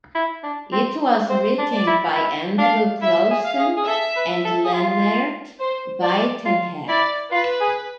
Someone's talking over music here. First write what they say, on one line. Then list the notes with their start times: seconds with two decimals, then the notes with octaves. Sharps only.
It was written by Andrew Clausen and Lennert Buytenhek.
0.15 E4
0.43 D4
0.72 C4
1.30 C4 C5
1.58 D4
1.73 D5
1.87 E4
2.16 E4
2.58 D4 F5
3.01 E4 E5
3.30 G#4
3.44 F5
3.59 G#4
3.77 G#4
3.88 A4 E5
4.16 B4
4.45 A4
4.64 G#4
4.74 F4
5.60 C5
6.02 D5
6.46 F4
6.88 E4 D5
7.31 F4 B4
7.60 G#4